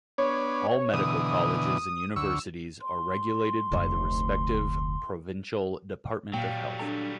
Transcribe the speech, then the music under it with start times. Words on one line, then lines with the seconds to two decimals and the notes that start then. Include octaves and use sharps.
All medical colleges and universities are regulated by the respective provincial department of health.
0.18 B3 D4 C#5
0.93 B2 D3 E3 D#6
2.16 D2 C#6 E6
2.82 C6
3.72 F1 D2
6.34 A#2 F#3 G3 F5 G5
6.79 D4 A4 A#5